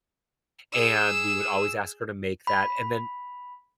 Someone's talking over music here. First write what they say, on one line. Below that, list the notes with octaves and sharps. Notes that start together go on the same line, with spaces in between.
and we would always ask her to make that, and then
G#4 E6
B5